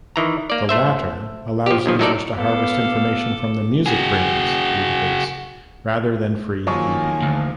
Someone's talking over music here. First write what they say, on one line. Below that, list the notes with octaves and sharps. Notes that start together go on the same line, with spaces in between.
The latter allows users to harvest information from the MusicBrainz database rather than freedb.
D#3 E3 A#5
A#3 D5
A3 C5 E5
F3 G4
B1 D#3 F3
F#3 A3 D#4 A4 A#4 D5
B3 A4 F5 D6
F#4 G#4
D#3 F3 F#3 A#3 G#4 C#5
D2